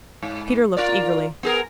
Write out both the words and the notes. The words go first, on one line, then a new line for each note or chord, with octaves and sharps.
Peter looked eagerly.
G#2
F4 A#4 D5
B3 G#4 A#4